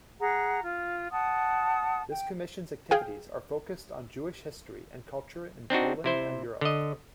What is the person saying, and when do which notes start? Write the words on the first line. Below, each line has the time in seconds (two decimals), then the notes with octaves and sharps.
This Commission's activities are focused on Jewish history and culture in Poland and Europe.
0.20 G#4 F#5 A#5
0.61 F4
1.12 F#5 A5 D#6
2.09 G5
2.91 G#4 F5 G5
5.70 C4 D4 D#4 F#4
6.04 C3 E4 C5
6.61 D3 D#5